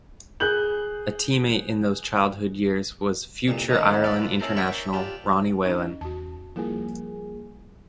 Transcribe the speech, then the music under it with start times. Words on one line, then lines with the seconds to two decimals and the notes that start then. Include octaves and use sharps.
A teammate in those childhood years was future Ireland international Ronnie Whelan.
0.40 G#4 F#6 G6 F#7
3.48 C2 F2 A#2
3.69 D#3 A3 A#3 C#4 D#4
4.04 F4 A4 B4 D5
4.40 C#4 E4 A4 A#4 C5
4.56 A#4 C#5 D5 E5 G5 C#6
4.93 D4 F4 G4
5.65 C#4 D#4 D#5
6.01 E2 F#4 A5
6.56 F3 G3 A#3 E4 G#4